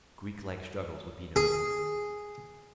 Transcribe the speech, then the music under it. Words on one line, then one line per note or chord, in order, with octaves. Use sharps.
Greeklike struggles would be no more.
G#4